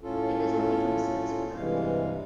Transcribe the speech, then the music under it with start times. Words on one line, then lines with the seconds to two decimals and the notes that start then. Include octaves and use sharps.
It is only from Switzerland.
0.01 A2 C#4 F4 A4
1.55 G2 C3 E3 G3 G#3 F5